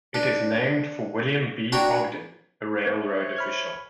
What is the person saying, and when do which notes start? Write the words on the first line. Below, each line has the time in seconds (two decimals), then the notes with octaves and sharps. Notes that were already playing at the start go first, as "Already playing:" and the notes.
It is named for William B. Ogden, a railroad official.
0.14 D4
1.72 D4 F#4 C#5 G5 A#5
2.85 C5 C#5 E5
3.36 B5 F6 G#6